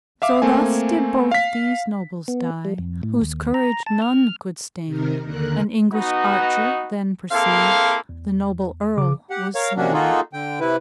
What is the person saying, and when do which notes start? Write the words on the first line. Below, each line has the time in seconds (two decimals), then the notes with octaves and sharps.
So thus did both these nobles dye, Whose courage none could staine; An English archer then perceiv'd The noble erle was slaine.
0.22 E5 F5 D6
0.42 A3 A#3 C4 G#5
1.31 F5 B6
2.28 B3
2.65 G3
2.78 F2
3.03 A2
3.22 D#2
3.54 A#5
3.86 A5
4.02 F6
4.86 C3 D#3 A#4
5.23 D#2 D3 A#4 F#6
5.93 B3 D#4 F#4
7.31 A#3 C4 E4 G#4 A4 F5
8.09 E2
8.97 G#1 C#3 D6
9.30 G4 F#5
9.55 A#4 C#5 F5
9.77 C3 D#3 A#3 C#4 D4 F#4
9.93 A#3 D#4 F4 F#4 G#4 A4
10.33 D3 G5
10.60 C3 E4 B4